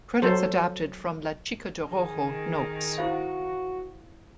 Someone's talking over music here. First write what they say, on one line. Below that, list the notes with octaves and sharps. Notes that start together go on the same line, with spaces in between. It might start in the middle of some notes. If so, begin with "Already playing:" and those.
Credits adapted from "La Chica de Rojo" notes.
F#3 A4 C5
D#3 G#4
E4 F#4 C5 F5